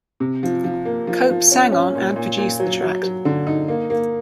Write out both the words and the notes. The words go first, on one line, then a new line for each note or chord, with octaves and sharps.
Cope sang on and produced the track.
C3
F3
F3
A#3
F3
F3
C#4
C#4
A#2
A#2
A#2
F#3
F#3
F#3
D3
D#4
A#3
A#3